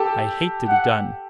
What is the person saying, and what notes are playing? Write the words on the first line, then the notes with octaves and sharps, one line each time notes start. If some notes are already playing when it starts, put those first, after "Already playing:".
I hate to be done.
Already playing: G4 A4
F#5